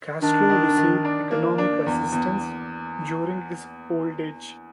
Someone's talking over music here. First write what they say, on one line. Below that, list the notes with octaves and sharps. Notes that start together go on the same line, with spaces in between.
Castro received economic assistance during his old age.
D#3 D4
D#3
D#3
D4
A#3
D4
E2
E2